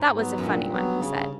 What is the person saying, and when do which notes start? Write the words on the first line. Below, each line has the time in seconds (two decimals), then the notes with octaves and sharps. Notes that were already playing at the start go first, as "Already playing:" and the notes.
"That was a funny one," he said.
Already playing: G#2
0.15 F#3 B3
0.38 F#2
0.43 G2 A#2
0.72 F#3 B3
1.00 C#3